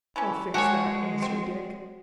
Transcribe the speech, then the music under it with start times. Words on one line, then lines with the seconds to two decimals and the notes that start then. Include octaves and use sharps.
"I'll fix that," answered Dick.
0.16 E3 A3 C#4
0.54 G#3 F#4 G4 A4 C#5 G#5
1.22 C4